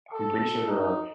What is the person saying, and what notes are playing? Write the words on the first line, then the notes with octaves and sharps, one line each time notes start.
I'm pretty sure there are
A4
D#4